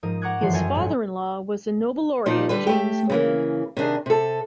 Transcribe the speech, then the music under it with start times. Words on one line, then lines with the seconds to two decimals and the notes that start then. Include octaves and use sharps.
His father-in-law was the Nobel Laureate James Meade.
0.03 G#2 F3 A#4 D#6
0.22 F#5 A#5 C#6 D6 F#6 G#6
0.41 G1 E3 F3 C#5 C6
0.53 F#2 G3 C#5 G#5 A#6
0.74 B1 G#2
2.26 A#2 F3 D#4 D5
2.49 D3 G3 B4
2.67 A3 G4
3.10 C#3 E3 A#3
3.77 C3 D#3 D4 G#4
4.06 C3 A4